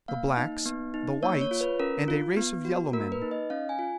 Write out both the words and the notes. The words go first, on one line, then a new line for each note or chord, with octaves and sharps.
The blacks, the whites, and a race of yellow men.
A#3 F5
D#4
B3
D#4
A#3 C#5
C#5
F4
B4
C#4 A#4
F4
B3
F#4
A#3 A#4
B4
D#4
D#5
C#4 F5
G#5
F4